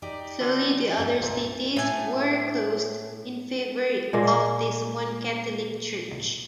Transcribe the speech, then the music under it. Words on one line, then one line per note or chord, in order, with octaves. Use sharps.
Slowly the other staties were closed in favor of this one Catholic church.
D#4 G4 D5
D3 F4 F#4
G2 A3
C2 A#2
A2 G#5
A#2 G#3 A#3